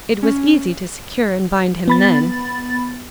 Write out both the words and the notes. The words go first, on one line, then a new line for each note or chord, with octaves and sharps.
It was easy to secure and bind him then.
C#4
B3 B5 A6